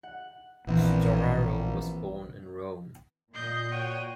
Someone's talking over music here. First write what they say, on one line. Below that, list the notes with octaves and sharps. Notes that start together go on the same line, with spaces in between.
Storaro was born in Rome.
F#5
A#1 E3 B3 C4
A#2 D#5 G6 C7
F#4 C#5 G5 D#7